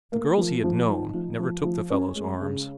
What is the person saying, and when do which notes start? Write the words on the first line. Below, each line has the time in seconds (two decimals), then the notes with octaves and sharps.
The girls he had known never took the fellows' arms.
0.12 A#3
0.37 F3
0.64 F3
0.89 D#4
1.14 F3
1.39 F3
1.64 F3
1.90 C#4
2.15 G#3
2.41 C#3